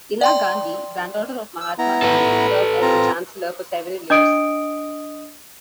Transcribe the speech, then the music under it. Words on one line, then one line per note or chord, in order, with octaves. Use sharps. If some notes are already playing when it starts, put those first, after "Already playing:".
Ela Gandhi, granddaughter of Mahatma Gandhi served as the Chancellor for several years.
D5 G5 C6
E6
B3 E4 A#5
A4 B4
C4 F4 A#5
D4 D#5 D#6 D7